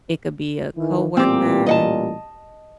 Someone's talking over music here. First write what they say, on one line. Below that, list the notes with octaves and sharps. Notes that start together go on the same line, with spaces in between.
It could be a coworker,
D#3 E3
A1 A#2 G3 C4 G4
D#5 F#5 A5